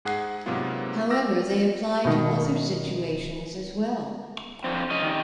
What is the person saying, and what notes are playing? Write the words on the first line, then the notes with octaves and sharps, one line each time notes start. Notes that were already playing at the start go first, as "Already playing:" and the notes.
However, they apply to other situations as well.
G#2 G#4 F#5 D#6 F#6 C7
G#2 C3 F#3 A#3 B3 F4
D6 E6 F6 A#6
B2 D#3
D3 F3 C4
C#4 D#5
D#3 G3